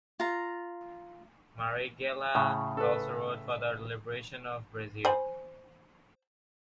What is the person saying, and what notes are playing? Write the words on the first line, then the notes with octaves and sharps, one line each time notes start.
Marighella also wrote "For the Liberation of Brazil".
F4 A#5
A2 C#3
A4 B4
C5 G#5 B5